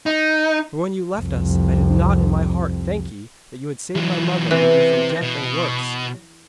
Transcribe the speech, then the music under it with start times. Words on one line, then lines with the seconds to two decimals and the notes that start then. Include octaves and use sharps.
'For when you left us I did not in my heart thank ye that you had saved my mother and me from death and worse.
0.06 D#4
1.18 C2 F2
3.95 E3 F#3
4.51 C3 E3 C4
5.21 B2